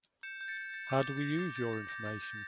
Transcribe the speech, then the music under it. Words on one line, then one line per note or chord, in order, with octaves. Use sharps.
How do we use your information?
G6 C#7 E7
G6
A6 C#7
G6
G6 A6
D6 G6
A6
G6
A6
G6 A#6
D6 A6
G6 A6
G6 A6
G6 A#6
D6 A6
G6